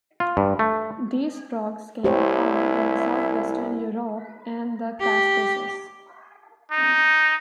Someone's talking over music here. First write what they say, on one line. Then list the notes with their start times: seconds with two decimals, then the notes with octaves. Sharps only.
These frogs can be found in southwestern Europe and the Caucasus.
0.20 F4
0.37 G2
0.59 A3
2.04 C2 E4 G4 C5 C#5
5.01 G4
6.71 D#4